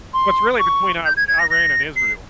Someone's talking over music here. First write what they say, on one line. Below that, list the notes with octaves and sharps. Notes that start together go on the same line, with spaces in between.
So it's really between Ir Iran and Israel.
C6
C#6
G6
G#6
G#6
A#6
A#6
C7